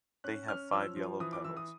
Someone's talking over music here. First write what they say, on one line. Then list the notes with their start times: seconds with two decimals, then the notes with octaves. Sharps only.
They have five yellow petals.
0.24 C#4 F#6
0.48 C#4 F6
0.72 F3 E6
0.96 F3
1.20 E3 D#6
1.33 D6
1.44 E3 E6
1.57 D#6